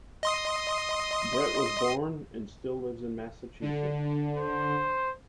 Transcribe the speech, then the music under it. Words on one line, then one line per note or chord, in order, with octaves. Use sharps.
Brett was born and still lives in Massachusetts.
D#5 C6 D#6
D3
C5